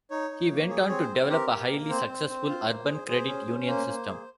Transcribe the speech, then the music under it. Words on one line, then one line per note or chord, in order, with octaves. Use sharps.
He went on to develop a highly successful urban credit union system.
D#4 C#5
D#4
A#3
G#4 C#5
C4 C#5
C5
C4
G4 A#4
G4
A#3
C4 C5
C4
C4
F4
A#3
G#4
G#4 C5
C#4
C#4
A#3 C5
A#3
G#4